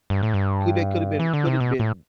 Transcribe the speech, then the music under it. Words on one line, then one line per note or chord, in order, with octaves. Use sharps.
could they could have been could it have been,
G2
A2
G2
E3
D3
C3
B2
A2